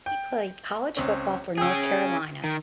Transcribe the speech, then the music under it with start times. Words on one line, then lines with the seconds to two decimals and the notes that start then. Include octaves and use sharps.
He played college football for North Carolina.
0.06 G5
0.97 C#2 C4 C#4
1.58 C#4 G#4 G5 E6
2.44 D#3